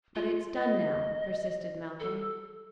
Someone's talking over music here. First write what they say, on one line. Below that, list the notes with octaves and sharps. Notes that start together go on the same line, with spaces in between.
"But it's done now," persisted Malcolm.
F4
D#5
A4